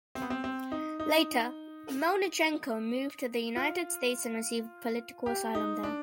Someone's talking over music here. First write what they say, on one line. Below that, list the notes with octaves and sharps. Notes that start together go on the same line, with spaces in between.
Later, Melnychenko moved to the United States and received political asylum there.
C4
B3
C4
C4
D#4
D#4
F4
G4
D#4
D4